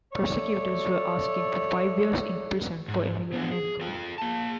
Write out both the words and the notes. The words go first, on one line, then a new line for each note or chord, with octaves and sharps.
Prosecutors were asking for five years in prison for Emelianenko.
A4 C#5 D5 E5
G#2
E3 B3 C4 D4
G#4
F4 A4
A#3 A5